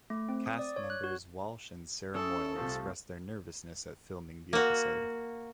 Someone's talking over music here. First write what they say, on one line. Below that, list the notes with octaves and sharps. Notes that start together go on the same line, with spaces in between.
Cast members Walsh and Sarah Moyle expressed their nervousness at filming the episode.
A3
C4
D#6
D5
C#5
F#6
F#4
C#4 E4 G#4 A4 A5
C2 C3 F3 A3 C4 A5
A#3 F#4